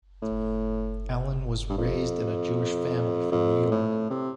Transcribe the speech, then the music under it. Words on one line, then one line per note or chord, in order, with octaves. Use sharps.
Ellin was raised in a Jewish family from New York.
A2
G2
F2
F2
A2
C3